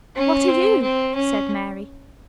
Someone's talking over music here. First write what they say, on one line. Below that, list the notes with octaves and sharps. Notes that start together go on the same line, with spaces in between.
"What are you?" said Mary.
C#4
C4
C4
C#4